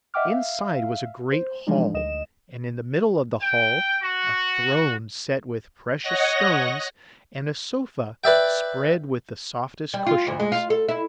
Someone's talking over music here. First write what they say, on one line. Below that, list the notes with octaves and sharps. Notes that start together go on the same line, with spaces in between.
Inside was a great hall, and in the middle of the hall a throne set with precious stones and a sofa spread with the softest cushions.
D#5 E5 F#5 G5 D6 F6
E5 F5
C5
E3 F3 G3 G#3 D4 D#4
D2 D#5 E7
G5
F#4
C#5 D#5 F#5 A#6
B4 D5 E5 G5
G3
F4
D2
G#3
F4
A4
E4